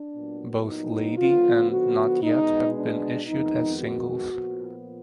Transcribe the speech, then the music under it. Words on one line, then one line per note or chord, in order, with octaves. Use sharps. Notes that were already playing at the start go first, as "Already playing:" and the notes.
Both "Lady" and "Not Yet" have been issued as singles.
Already playing: D4
A#2 F#3 B3
D#4
D3 F3 B3 F4
F#4
B2 G#3 B3 D#4
D4
F2 D#3 G#3 B3 D#4
F#4
A#2 F3 B3